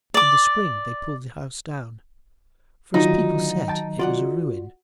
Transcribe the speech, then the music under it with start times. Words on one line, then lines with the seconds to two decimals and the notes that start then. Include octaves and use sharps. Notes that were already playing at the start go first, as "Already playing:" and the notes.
In the spring they pulled the house down, for, as people said, it was a ruin.
0.14 D5 D6
2.94 D2 D#3 F#3 D#4 F4 F#4
3.68 G5 A5
3.99 F4 F#4 D5 F#5